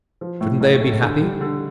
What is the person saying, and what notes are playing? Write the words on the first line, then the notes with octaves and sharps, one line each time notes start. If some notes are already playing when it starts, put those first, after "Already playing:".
Shouldn't they have been happy?
F3
A2
B1
A3
D3
G3
D3